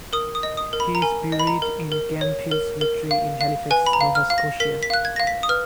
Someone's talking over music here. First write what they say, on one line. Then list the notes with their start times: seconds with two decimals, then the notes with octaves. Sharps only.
He is buried in Camp Hill Cemetery in Halifax, Nova Scotia.
0.13 A#4 D#6
0.35 D#6
0.43 D#5
0.57 D#6
0.73 A#4
0.80 B5
0.95 A#5
1.02 A#4 G#5
1.32 D#5
1.39 B5
1.47 A#5
1.62 A#4
1.92 A#4
2.21 C#5
2.51 A#4
2.81 A#4
3.11 F5
3.41 F5
3.71 B4 G#5
3.86 B5
3.93 A#5
4.01 F5
4.15 F6
4.30 F5
4.38 A#6
4.60 A#4 B6
4.83 B6
4.90 F5 F#6
5.05 G#6
5.16 F5 A#6
5.27 B6
5.43 D#6
5.49 B4 F6